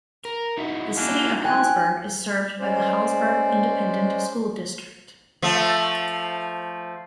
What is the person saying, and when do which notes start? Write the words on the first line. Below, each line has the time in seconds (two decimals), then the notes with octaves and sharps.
The City of Hallsburg is served by the Hallsburg Independent School District.
0.25 A#4
0.58 D#4 E4 F#4
0.96 A#3 C#4 D4
1.44 G5 G#5 F#6
2.60 G#3 C#4 C5 D5
5.42 F3 A3